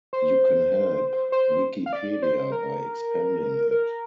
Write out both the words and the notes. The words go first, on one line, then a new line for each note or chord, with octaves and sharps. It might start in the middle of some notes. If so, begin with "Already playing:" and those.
You can help Wikipedia by expanding it.
C5
C5
F5
D5
C5
A#4
A#4